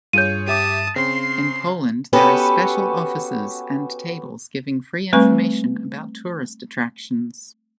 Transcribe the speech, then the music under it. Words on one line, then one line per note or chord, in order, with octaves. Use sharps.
In Poland there are special offices and tables giving free information about tourist attractions.
G2 F4 G#4 C#5 G6 D#7
G4 E5 A5 D6 D#6
C#3 C4 C6 C7
B3 C#4 F#4 G4 A4 B4
G3 A3 C4 B4 G#5 C#6